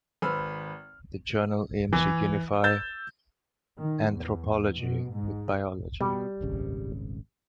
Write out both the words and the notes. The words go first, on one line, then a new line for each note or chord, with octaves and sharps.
The journal aims to unify anthropology with biology.
G#1 B4 C5 B5 E6 F6
E3
E6 G6 A6 E7
D#3
E2
B2
G#2
B2 G3
D#1 G#1 C#3